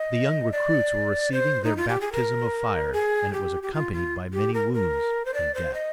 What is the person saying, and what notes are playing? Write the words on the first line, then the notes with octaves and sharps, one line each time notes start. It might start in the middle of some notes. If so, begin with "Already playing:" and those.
The young recruits were receiving their baptism of fire and it was accompanied by many wounds and death.
Already playing: D#5
D5
C5
D#4
F4
G4
G#4
A#4
G#4
G4
G4
F4
F4
G4
A#4
A#4
C5
D5
C5
D#5